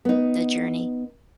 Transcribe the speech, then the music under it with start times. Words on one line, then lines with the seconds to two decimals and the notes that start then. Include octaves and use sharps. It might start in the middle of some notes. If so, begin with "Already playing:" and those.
the journey.
0.05 B3 D#4